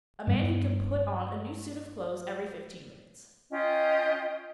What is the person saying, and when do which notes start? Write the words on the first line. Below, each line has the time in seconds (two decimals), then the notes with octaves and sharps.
A man who can put on a new suit of clothes every fifteen minutes.
0.27 G2 G3 B3
3.51 C#4 F4 D#5 G5